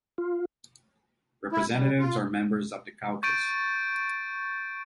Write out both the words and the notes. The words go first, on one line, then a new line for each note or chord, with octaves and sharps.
Representatives are members of the caucus.
F4
E4
G3
F4
C#6 G6 A6 D7 D#7